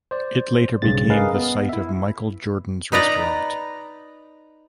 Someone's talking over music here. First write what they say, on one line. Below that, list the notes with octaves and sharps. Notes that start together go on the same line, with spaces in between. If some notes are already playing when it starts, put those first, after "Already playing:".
It later became the site of Michael Jordan's Restaurant.
C5 D5
B1 G2 C#3 A6
G#4 A#4 B4 D#5 F5
B3
E4 E5
D#4 B4 D5 A#5